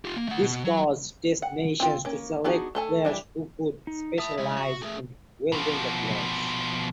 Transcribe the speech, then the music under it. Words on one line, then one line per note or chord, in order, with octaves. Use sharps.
This caused Test nations to select players who could specialise in wielding the gloves.
F4 G4
A#3
A3 F#5
B2
F#3
F#5
C4 F4
A#3 C#4
B3 D4 D#4 F#4 G#4
A3 A4 G#5
E3 G3 D4
D#4
E5 A5 B5 D#6
G#3 E4
F#4
A3 G#4
B2 F3